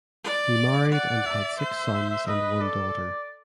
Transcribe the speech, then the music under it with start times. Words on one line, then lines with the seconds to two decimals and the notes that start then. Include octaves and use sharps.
He married and had six sons and one daughter.
0.24 D5
0.92 D5 F#5
1.26 E5
1.60 C5
1.94 E5
2.10 E5
2.28 B4 D#5
2.61 A4 D5